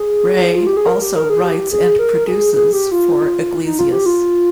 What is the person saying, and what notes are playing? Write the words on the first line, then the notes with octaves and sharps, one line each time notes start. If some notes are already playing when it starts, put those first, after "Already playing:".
Rey also writes and produces for Iglesias.
Already playing: G#4
F4
G4
G#4
A#4
G4
A#4
G#4
G4
G#4
A#4
G#4
G#4
G4
F4
D#4
F4
G4
F4